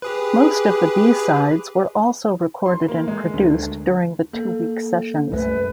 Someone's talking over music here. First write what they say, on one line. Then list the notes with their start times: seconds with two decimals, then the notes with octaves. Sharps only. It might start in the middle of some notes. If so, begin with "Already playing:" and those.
Most of the B-sides were also recorded and produced during the two-week sessions.
0.02 G4 G#4 B4
2.66 C6
2.88 A#3
3.08 G#3
3.33 D2
4.33 A#3 A4
5.32 C2 F#2 A3 B4